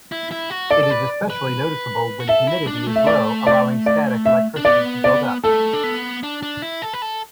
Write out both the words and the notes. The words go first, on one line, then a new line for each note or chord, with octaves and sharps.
It is especially noticeable when humidity is low, allowing static electricity to build up.
E4
E4
F#4
A4 D5
A4
B4
B4
F#4
A4 E5
E4
D4
A3
E5
D5
D5
D5
E5
D4
B3 D5
D5
A3 A4
D4
B3
D4
D4
E4
A4
B4
A4